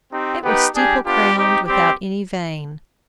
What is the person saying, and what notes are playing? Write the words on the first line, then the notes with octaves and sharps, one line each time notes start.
It was steeple-crowned, without any vane.
C4 D#4 G4
B3 D#4 G4 B4
G3 D4 G4 G#4
B3 D4 F4 G4
C4 D#4 G4
G3 C4 G4